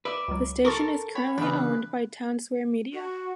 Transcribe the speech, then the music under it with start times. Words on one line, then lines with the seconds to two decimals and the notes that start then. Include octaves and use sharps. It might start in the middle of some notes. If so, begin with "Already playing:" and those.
The station is currently owned by Townsquare Media.
0.05 B4 D5 E5 D6
0.28 C#2 F#3
0.65 A4 A#4 C6 C#6 A6
1.15 F#4 C#5 B5
1.38 E2 C#3 D4 B4 B5
2.94 F#4